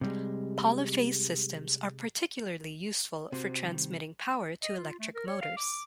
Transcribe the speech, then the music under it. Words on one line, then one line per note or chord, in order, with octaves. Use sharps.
Polyphase systems are particularly useful for transmitting power to electric motors.
C3 G3 G#3
C3 C4 F#4 C5
D#3 G3
D#5
F4
A3
A#4
C#5
F5
D6